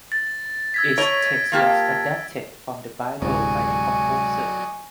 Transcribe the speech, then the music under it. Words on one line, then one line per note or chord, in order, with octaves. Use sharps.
Its text was adapted from the Bible by the composer.
A6
E6 G#6 B6
C#5 D#5 A#5 D7
F3 A#3 G4
D1 C3 F#3 G#3 D5 D#5 G#5 C#6